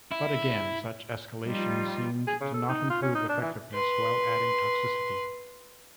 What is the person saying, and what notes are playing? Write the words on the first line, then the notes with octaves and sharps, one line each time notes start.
But again, such escalation seemed to not improve effectiveness while adding toxicity.
E4
F3 G3 D#4 F4
G#4
C#3
A4
D#4
F4
C#4
D#4
D4
E3
B4 C6